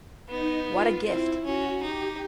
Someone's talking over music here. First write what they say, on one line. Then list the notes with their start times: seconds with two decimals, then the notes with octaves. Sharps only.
What a gift.
0.29 B3 D#4
0.68 F4
1.06 C4 E4
1.44 C#4 F#4
1.82 D#4 G4